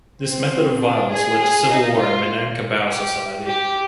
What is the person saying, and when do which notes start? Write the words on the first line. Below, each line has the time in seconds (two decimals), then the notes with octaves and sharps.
This method of violence led to civil war in Minangkabau society.
0.21 C4
0.80 D4
1.09 G#4
1.39 G#4
1.69 D#4
1.98 F4
2.86 G4
3.46 G4